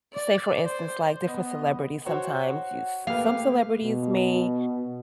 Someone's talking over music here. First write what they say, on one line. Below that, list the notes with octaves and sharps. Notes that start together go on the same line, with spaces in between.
say, for instance, like, different celebrities sometimes, you s some celebrities may
D5
C5
B3 D#5
F#4 C5 C#5 F#5
A3 A#3 G4 B4 F5
B2